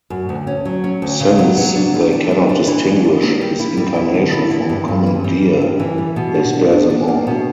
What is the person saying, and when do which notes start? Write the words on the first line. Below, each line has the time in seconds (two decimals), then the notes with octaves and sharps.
Since they cannot distinguish his incarnation from common deer, they spare them all.
0.10 F#2
0.29 D2
0.47 C#4
0.65 F#3
0.84 C#4
1.02 D2
1.20 C#3
1.39 F#3
1.57 F#3
1.76 D4
1.94 G3
2.13 D4
2.31 D4
2.49 D4
2.67 E3
2.86 B3
3.04 D4
3.23 A#3
3.41 G3
3.59 E4
3.77 G3
3.96 E4
4.15 D3
4.33 E4
4.51 E4
4.69 G2
4.88 G2
5.07 E3
5.24 G3
5.43 G3
5.62 G2
5.80 E3
5.98 G3
6.16 B2
6.35 D4
6.53 D4
6.72 D4
6.90 D4
7.08 A#3
7.27 B2